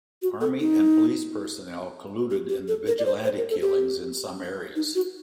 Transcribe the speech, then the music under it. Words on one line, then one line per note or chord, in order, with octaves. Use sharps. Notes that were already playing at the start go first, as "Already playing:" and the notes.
Army and police personnel colluded in the vigilante killings in some areas.
F#4
A4
D#4
G4
G4
A4
A#4
D5
C5
C5
A#4
A4
G4
D#4
F#4